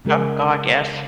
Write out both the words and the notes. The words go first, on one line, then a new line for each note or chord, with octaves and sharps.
Oh god, yes.
C#3 G#3 G#4 A#4